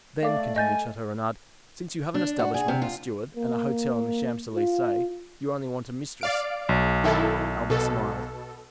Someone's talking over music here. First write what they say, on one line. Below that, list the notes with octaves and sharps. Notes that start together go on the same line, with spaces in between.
"Then," continued Chateau-Renaud, "since you have an establishment, a steward, and a hotel in the Champs Elysees, you only want a mistress." Albert smiled.
A3 D5 F5 D6
D#5 G#5 G6 A6
D4
F#4
G#4
C3
F4
A#3
F4
D5 F5 D7
B1
D#3 E4 A4
B2 A4